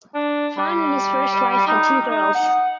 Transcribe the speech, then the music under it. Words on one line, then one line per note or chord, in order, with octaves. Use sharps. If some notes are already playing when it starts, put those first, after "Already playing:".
Fahn and his first wife had two girls.
D4
G3
D#4
D#4
F#5